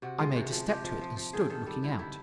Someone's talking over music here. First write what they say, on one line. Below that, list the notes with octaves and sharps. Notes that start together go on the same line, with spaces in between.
I made a step to it, and stood looking out.
C3 F#4
G#3 F4
C3 F#4
F3
F3 G4
F3
F3
F3
D#3 G#4
D#3 A4
G3 A4
G3 E4
D#3 E4